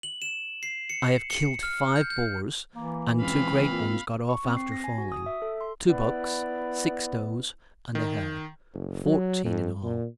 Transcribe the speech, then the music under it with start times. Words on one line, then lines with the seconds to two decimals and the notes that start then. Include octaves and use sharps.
I have killed five boars, and two great ones got off after falling; two bucks; six does; and a hare: fourteen in all.
0.03 F#7
0.22 E7
0.63 C7
0.90 C#7
1.30 C#7
1.63 F6
1.96 G6
2.10 G6
2.75 E3 A#3
3.21 C#2 C4 F5 B5
3.71 A#2
4.29 C#6
4.45 C4
4.57 C7
4.72 A#6
4.84 G#5
4.98 F#4
5.12 D#6
5.26 E5
5.42 A4
5.61 C6
5.89 B3 E4 B4 D5
7.95 D#3
8.73 F#1
9.05 F#3
9.45 F2
9.83 A#2